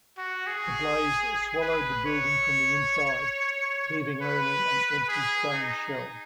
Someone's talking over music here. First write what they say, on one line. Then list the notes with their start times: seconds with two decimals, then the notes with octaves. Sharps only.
The blaze swallowed the building from the inside, leaving only an empty stone shell.
0.18 F#4
0.47 G#4
1.62 B4
2.06 C#5
4.22 B4
5.09 G#4
5.53 D#4